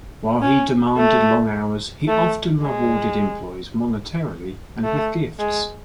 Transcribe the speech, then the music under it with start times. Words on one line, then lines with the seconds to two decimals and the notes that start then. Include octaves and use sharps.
While he demanded long hours, he often rewarded employees monetarily and with gifts.
0.42 C#4
0.97 A3
2.08 A3
2.62 G#3
4.84 A3
5.39 G#3